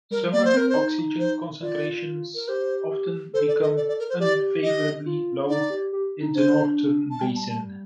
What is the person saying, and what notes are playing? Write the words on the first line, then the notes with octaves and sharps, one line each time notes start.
Summer oxygen concentrations often become unfavorably low in the northern basin.
G3 A#4
A#3 D5
C5
C4 A#4
C5
D#4
C5
F4 D5
A#4
G4 C5
A4 C5
D5
D#5
D5
D5
A#4
C5
G4 D5
D#5
F4
D#4 D5
G4
G4
D#4
D4 C5
A5
G3 G5
A5
A5